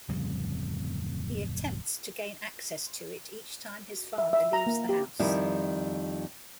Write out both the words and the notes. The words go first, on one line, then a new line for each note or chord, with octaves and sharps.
He attempts to gain access to it each time his father leaves the house.
D1 F2 C#3 G3
E5
E5
A#5
A#3
G4
F2 D#3 G3 E4